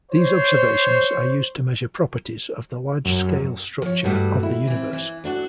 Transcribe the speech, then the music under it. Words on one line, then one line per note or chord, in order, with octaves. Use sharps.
These observations are used to measure properties of the large-scale structure of the universe.
C5 C#5
F#2
F3 C#5
G2 D#3 G3 A3 F#4
E4
E3 C4
E3
A3 D4 F#4